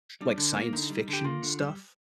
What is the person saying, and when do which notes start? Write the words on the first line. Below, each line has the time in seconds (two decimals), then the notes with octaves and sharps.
like, science fiction stuff?
0.21 G3 D4
0.38 D3
0.56 A#3
0.73 D3 D#4
0.90 G3
1.08 D3
1.13 G4
1.24 A#3 F4
1.42 D3
1.59 G3